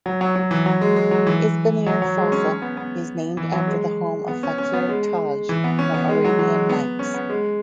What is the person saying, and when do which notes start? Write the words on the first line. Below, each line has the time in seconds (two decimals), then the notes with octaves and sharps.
Isbanir Fossa is named after the home of Fakir Taj from Arabian Nights.
0.06 F#3
0.21 F#3
0.36 F#3
0.51 E3
0.66 F#3
0.81 G#3
0.96 G#3
1.11 F#3
1.27 E3
1.86 F#3
2.02 F#3
2.17 G#3
2.32 C#4
2.48 C#4
2.62 B3
2.77 B3
3.37 E3
3.52 F#3
3.68 G#3
4.28 B3
4.43 C#4
4.58 C#4
4.73 B3
4.89 G#3
5.49 E3
5.64 B3
5.79 C#4
5.94 B3
6.09 G#3
6.25 F#3
6.39 F#3
6.54 G#3
6.69 B3
6.99 C#4
7.14 B3
7.30 G#3